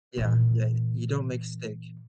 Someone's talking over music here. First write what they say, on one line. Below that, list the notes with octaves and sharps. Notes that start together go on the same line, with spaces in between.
Yeah, yeah, you don't make steak.
A#2 E3